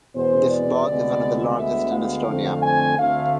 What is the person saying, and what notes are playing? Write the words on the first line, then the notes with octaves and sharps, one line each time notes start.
This bog is one of the largest in Estonia.
E2 B2 G#3 B3 C5
D5
D2 C3 G#3 B3
D2 D3 G#3 B3 E5
F5
F2 D3 A3 C4
G#5
D2 D3 A3 C4 F5